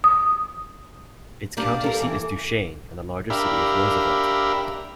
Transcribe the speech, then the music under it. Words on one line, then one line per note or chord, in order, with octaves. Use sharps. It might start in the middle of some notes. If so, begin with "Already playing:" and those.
Its county seat is Duchesne, and the largest city is Roosevelt.
D#6
G3 A#3 D4
A4 A#4
E3
D4 G4 A#4 E5 F5 B5